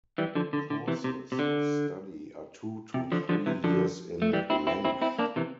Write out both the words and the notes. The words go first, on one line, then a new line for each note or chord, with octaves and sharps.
Courses of study are two to three years in length.
E3 G3
D3 F3
D3
D3
C3 E3
C3
C3
D3
C3
D3 F3
D3 F3
C3 E3
D3 F3
A3
E3 G3
C4 E4
C4 E4
C4 E4
C4 E4
A#3 D4
C3 E3